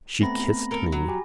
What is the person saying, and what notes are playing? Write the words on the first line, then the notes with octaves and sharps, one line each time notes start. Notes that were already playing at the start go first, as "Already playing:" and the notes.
She kissed me.
A3 B3 C4 A#5 B5 A#6
A4 A#4
F#3
G4 G#5